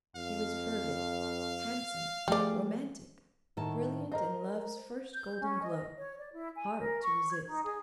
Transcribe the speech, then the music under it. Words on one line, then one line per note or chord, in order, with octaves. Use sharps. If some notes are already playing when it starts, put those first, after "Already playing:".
He was fervid, handsome, romantic, brilliant in love's first golden glow, hard to resist.
F2 F5
F3 G3 A3 G#4 D5
A2 D#3 A5
A#4 C5 D#5 A#5
G6
C#4
D#5
C#5
D5
E4
G#5
A#4
C#6
G#6
D#4
G#4